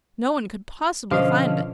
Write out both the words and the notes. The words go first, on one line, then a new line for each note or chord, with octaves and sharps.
No one could possibly find it.
B2 D3 F3 C#4 C5 D#5 F5